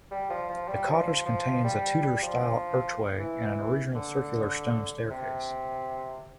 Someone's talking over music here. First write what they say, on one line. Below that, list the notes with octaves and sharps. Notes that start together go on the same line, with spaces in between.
The cottage contains a Tudor-style archway and an original circular stone staircase.
G3
F3
F3
G3
F3
F3
G3
G3
F3
E3
D3
C3